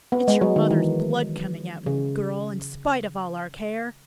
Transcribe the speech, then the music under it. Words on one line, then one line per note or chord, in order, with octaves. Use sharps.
It's your mother's blood coming out in you, girl, in spite of all our care!
B3
G#3
F#3
D#3
E3
C#3